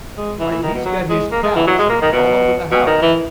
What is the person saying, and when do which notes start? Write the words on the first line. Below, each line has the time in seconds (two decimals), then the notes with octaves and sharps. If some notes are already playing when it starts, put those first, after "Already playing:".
"Why he's got his pals hidden all over the house."
0.17 G#3
0.39 E3
0.51 E3
0.63 D#3
0.74 B2
0.85 F#3
1.09 G#3
1.31 A#3
1.43 G#3
1.56 E3
1.67 F#3
1.78 G#3
1.89 A#3
2.02 D#3
2.13 B2
2.71 B2
2.86 D#3
3.02 E3